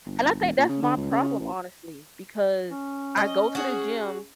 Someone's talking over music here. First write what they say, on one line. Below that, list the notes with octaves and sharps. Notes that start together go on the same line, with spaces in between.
And I think that's my problem, honestly, because I go to the gym,
G1
E1
A#2
C#3
D3
C#2
C#3
A1
C#4
D#5
F#4 G#4